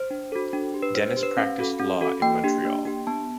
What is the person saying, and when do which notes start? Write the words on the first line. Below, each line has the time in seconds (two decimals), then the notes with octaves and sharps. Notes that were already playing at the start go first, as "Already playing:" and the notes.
Denis practised law in Montreal.
Already playing: C5
0.11 D4
0.32 F#4 A4
0.53 D4
0.74 G4
0.83 B4
0.95 D4 C5
1.10 C5
1.17 G4
1.23 B4
1.37 C#4 F5
1.59 F#4 A4
1.80 C#4
2.01 F#4 A4
2.22 A#3 G5
2.44 D4 G4
2.65 A#3
2.85 D4 G4
3.07 B3 A5